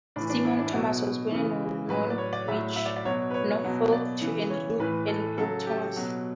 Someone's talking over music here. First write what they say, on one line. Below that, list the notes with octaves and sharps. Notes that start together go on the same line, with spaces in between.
Simon Thomas was born in Norwich, Norfolk to Andrew and Gill Thomas.
A2 E3 D4
D4
E4
D4
E4
B2 F#3 F#4
C#3 E3
A2 F#3 B4
D5
C#5
D5
A2 F#3 E5
E5
D5
D5
B2 F#3 C#5
B4
C#5
B2 F#3
D5
C#3 E3
C#5
A2 E3 B4
A4
C#3 F#3 A4
G4
B2 F#3